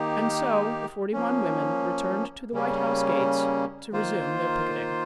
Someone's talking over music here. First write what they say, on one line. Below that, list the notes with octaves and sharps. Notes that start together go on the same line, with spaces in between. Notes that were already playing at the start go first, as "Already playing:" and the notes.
And so the forty-one women returned to the White House gates to resume' their picketing.
Already playing: D#3 A#3 D#4 G4
F3 A#3 C#4
C#3 G3 A#3 C#4
D#3 A#3 F4 C5